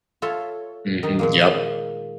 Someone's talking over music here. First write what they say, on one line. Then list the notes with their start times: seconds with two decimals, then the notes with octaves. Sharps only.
Mhm. Yep.
0.22 F4 A4 C#5 E5 A5
1.03 D#3 D#4
1.19 A#2 G#3 A#3